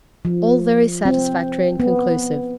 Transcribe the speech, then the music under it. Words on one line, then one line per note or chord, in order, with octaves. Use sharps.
All very satisfactory and conclusive.
F3
C4
B3